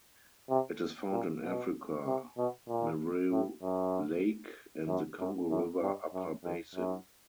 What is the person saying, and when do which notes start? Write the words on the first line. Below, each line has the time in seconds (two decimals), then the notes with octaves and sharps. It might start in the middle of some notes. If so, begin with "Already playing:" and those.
It is found in Africa: Mweru Lake and the Congo River upper basin.
0.49 C3
1.12 A#2
1.44 B2
2.06 C3
2.37 B2
2.68 A#2
3.31 A2
3.62 F#2
4.87 F#2
5.19 F#2
5.50 F#2
5.82 G2
6.13 F#2
6.44 F2
6.75 F#2